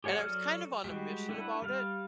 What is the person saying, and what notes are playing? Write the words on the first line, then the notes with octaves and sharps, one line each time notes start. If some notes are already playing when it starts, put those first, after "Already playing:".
And I was kind of on a mission about it,
G4 G#4 C#5 F#5
F#3 A4 D5 D#6 F6
G3 G#3 F#4 G4
D4 E4 B4 F#5
G3 F5